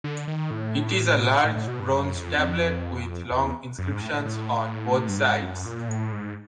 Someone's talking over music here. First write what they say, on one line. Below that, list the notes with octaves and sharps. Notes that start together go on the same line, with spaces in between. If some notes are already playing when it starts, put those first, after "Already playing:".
It is a large bronze tablet with long inscriptions on both sides.
D3
D#3
A2
A2
A2
B2
G2
F#2
F2
F2
E2
F#2
G#2
A2
A2
A2
G2
G#2
F#2
A#2
A2
G#2